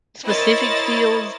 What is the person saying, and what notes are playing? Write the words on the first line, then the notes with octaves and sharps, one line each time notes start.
specific fields?
E4 A#4 C5 C#5 D#5 A6